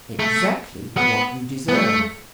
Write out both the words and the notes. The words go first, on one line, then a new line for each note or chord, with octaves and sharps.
Exactly what you deserve.
A3
B3
B3
A3